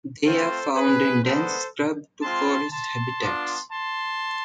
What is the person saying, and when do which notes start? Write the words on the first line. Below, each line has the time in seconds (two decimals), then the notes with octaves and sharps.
They are found in dense scrub to forest habitats.
0.24 A3 C4 F4 A4 C5
0.74 G#4 B4
1.23 G#3 B3 D4 A4 C5
2.22 G#3 C4 F4 A5 C6
2.71 A5 C6
3.21 B3 D4 F4
3.71 A5 C6